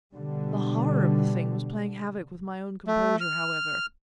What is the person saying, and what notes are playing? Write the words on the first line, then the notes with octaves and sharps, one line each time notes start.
The horror of the thing was playing havoc with my own composure, however.
B2 D3 G3
A3
F6